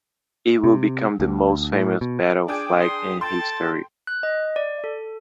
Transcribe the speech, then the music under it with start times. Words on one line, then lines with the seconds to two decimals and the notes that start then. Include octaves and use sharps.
It would become the most famous battle flag in history.
0.64 C3
1.20 D2
1.73 A2
2.01 B2
2.48 D4 G#4 G5 D6
2.80 C6 D#6
3.21 A4 G5 A5 C6
4.07 F#6
4.23 D#5
4.56 D5
4.84 A4